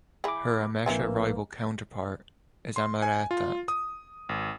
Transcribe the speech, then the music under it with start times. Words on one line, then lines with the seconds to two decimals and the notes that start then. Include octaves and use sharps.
Her amesha rival counterpart is Ameretat.
0.24 E3 G#4 B5 D6
0.86 A#1 A#3 C4 E4 B4 G#5
2.76 C6
3.02 G#5
3.31 F4
3.68 D#6
4.29 G#1